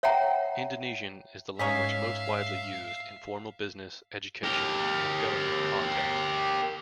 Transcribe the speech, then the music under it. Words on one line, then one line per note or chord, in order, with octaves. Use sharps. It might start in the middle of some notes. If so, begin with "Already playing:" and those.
Indonesian is the language most widely used in formal business, education and government contexts.
C#5 E5 F#5 G5 A#5
G#2 C#4 D#4 C#5 E5 F5 B6
G4 A#4